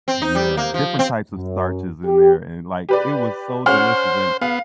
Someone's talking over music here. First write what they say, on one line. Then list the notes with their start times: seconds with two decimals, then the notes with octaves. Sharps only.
Yeah, different types of starches in there, and like, it was so delicious, and,
0.08 C4
0.22 D#4
0.35 G3
0.57 A#3
0.74 F3
0.99 C4
1.32 F#2
2.05 G4
2.89 G4 B4 D5
3.66 C#4 C5 F#5 F6
4.41 B3 F5